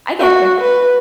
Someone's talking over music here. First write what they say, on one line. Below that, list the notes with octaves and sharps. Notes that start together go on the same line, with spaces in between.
I getcha.
F#4
B4